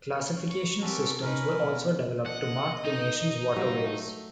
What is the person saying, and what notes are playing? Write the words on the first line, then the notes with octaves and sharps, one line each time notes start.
Classification systems were also developed to mark the nation's waterways.
C#3
C#6
C4 C#4 F#4 G4 A4 A#4
C#4 D#4 A#4 B4
B2
D4 D#5 F#5
D#4
F#3 G3 A#3
A3